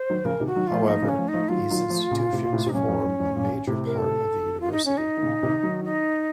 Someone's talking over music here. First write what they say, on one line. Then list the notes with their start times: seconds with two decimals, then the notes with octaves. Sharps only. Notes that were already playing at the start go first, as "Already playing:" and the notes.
However, these institutions form a major part of the University.
Already playing: C5
0.10 D#3 F#3
0.25 C#3 F3 A#4
0.40 C3 D#3
0.46 F#4
0.56 D#3 F#3
0.67 F3 A3 F4
0.82 A#3
0.87 F3 A3 D#4
1.02 C#3 F3
1.09 C#4
1.18 F3 A3
1.28 D#4
1.34 F3 A3
1.49 D#3 F#3 F4
1.70 D#3 F#3
1.90 F3 A3
2.11 A#2 C#3
2.33 A2 C3
2.45 A#2
2.53 A2 C3
2.66 C3 D#4
2.73 F#2 A#2 C#4
2.89 F2
3.05 F#2
3.20 F2 A2
3.36 F#2 A#2
3.67 A2 C3
3.86 A#4
3.98 A4
4.60 F4
4.72 D#4
4.85 C#4
4.97 D#4
5.17 D#3
5.22 A#2 C#3
5.43 C3 D#3
5.63 D#3 F#3
5.84 D#4